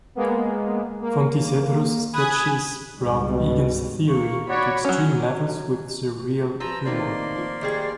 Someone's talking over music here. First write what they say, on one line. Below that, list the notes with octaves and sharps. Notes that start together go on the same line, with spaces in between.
Fontecedro's sketches brought Egan's theory to extreme levels with surreal humor.
G#3 A#3 B3
A#3
G#5 B5 D#6 F#6 G#6
C#2 G#2 G3
B2
A#3 C#6
F#4 C#5 D5 B5
F#3 C#4
F3 B4 A#5 E6
D#3 A3 A#3 C4 D5 C6
F3 C#6
D#3 G3 G#4